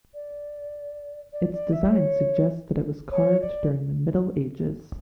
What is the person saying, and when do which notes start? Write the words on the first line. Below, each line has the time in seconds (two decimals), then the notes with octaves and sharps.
Its design suggests that it was carved during the Middle Ages.
0.14 D5
1.33 D5
1.53 D5
1.72 E5
1.92 C#5
3.11 C#5
3.41 D5